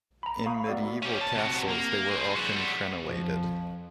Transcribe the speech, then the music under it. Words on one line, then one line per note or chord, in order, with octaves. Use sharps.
In medieval castles, they were often crenellated.
A#5 B5
F5 B5 C#6 D#6
A3 B3 F#4 D5 F5 E6
C#4 G4
A5
C3 F#4
A#3
G#4 C5
G3 F#4
F2 F3